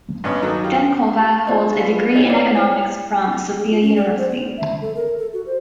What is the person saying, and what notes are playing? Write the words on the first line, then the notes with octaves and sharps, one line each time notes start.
Denkova holds a degree in economics from Sofia University.
G2 B3 C#4 D#5
D#3 F#3 F#4 A4
F4 G4
G4
D4 F4 G4 C5 D5 D#5
F4 B4 F5
D4 D#4 F4 B4 C#5 D#5
E4 G#4 B4 C#5 D5 F5
E4 C5 C#5
G#4
F4
C#4
D5
C5
B3
E5
A4
A#4
A4
F#4
C5